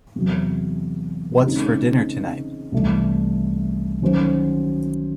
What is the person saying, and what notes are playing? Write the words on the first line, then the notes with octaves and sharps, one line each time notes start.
What's for dinner tonight?
E2 C3 F#3
C#3 G#3 C4 D#4
C2 C3 E3 A3
D#3 F#3 C#4 F#4 C5